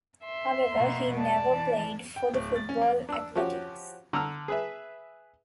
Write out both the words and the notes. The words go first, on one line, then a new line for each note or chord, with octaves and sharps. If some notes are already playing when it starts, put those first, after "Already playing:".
However, he never played for the football Athletics.
E5 C6
B2 A#3
G#3 D5 A5
E3
G5
D1
A6
C#4
A#3
D4 E6
F3 C#4 F#4 G4
D3 A#5 E6 F6
G#4 B4 E5